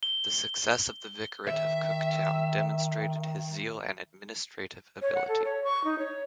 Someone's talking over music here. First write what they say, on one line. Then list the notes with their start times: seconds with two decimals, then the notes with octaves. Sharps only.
The success of the Vicariate of Cooktown demonstrated his zeal and administrative ability.
0.03 G7
1.48 D#3 E5
5.02 C#5
5.15 F#5
5.28 A4
5.44 C#5
5.64 C#6
5.84 D#4
5.99 C#5